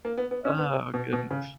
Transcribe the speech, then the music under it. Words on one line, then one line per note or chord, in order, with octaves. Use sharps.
Oh, goodness.
A#3
B3
B3
C#4
B3
B2
B2
C#3